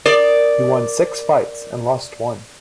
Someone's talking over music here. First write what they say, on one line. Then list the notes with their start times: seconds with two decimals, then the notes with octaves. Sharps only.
He won six fights and lost one.
0.06 A#4 D5